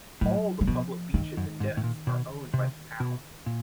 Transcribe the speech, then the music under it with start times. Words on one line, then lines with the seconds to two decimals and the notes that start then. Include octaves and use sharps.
All the public beaches in Dennis are owned by the town.
0.21 A2 F#3
0.61 F#3
0.67 B2 F3
1.14 G2 D#3
1.37 F#2
1.60 G#2
1.77 A2
1.84 A#2
2.07 B2
2.54 C3
3.00 B2
3.46 A#2